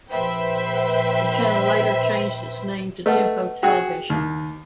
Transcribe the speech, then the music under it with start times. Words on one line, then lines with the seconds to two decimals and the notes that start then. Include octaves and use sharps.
The channel later changed its name to Tempo Television.
0.10 A#1 B4 C5 E5 G5
3.06 A3 B4 D#5 F#5
3.63 F#4 G#4 G5
4.10 D#2